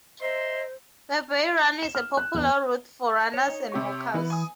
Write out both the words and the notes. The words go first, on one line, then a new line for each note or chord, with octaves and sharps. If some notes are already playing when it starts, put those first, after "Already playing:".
The Bay Run is a popular route for runners and walkers.
C5 D#5 E5 A#5 C6
E7
F6
F#6
E2
C#5
D#4
C3 G4 C#6
E3 B3 E4 B4
G#5 D#6